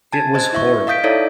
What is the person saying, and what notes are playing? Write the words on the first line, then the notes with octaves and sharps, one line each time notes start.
It was horrible.
G#5 A5 G#6 A6
C5 D#5 G#6
E4 E5 C#6
D#5 F5 D#6 G6 B6 D7
D#4 E4 A4 C#5 D5 E5